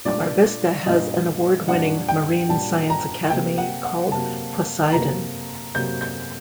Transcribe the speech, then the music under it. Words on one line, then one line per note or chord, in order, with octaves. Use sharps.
Mar Vista has an award-winning Marine Science Academy called Poseidon.
A#2 G3 D4 D5
A#2 G3 D4 D#5
A#2 G3 D4 F#5
G5
A#2 G3 D4 A5
A#5
C3 F#3 A#3 G5
F#5
F#5
C3 F#3 A#3 A5
C3 F#3 A#3 A#5
C3 F#3 A#3 G6
G6